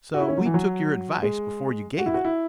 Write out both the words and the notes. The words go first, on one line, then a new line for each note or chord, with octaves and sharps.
So we took your advice before you gave it.
F#4
E4
C#4
F#3
E3
F#3
G#3
F#4
E4
F#4
E4